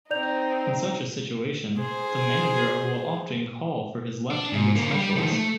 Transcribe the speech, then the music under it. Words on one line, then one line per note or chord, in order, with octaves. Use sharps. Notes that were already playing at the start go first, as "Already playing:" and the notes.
In such a situation, the manager will often call for his left-handed specialist.
C4 D#4 D5 G6 F7
G#4 C5
D4
G#2
D3 A#3
G3
D#3 F3
A3